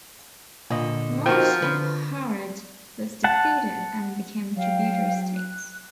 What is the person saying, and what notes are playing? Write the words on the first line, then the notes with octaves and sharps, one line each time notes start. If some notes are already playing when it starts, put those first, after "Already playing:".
Much of Harad was defeated and became tributary states.
A#2 D3 D#5
F3 C4 D#4 F#4 A#4 G5
D3 B4
F#5 A5
F#3 F5 G5
F#6